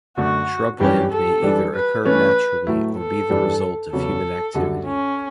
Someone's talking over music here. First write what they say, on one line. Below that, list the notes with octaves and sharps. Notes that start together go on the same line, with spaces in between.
Shrubland may either occur naturally or be the result of human activity.
F#2 D3 A3 F#4
G2 E3 G3 C#4 G4
A4
E3 G3 D4
B4
E3 A3 C#4 B4
A2 F#3 A3 E4
A4
G2 E3 G3 D4
E2 C#3 F#3 C#4 A4
F#2 D3 G3
C#4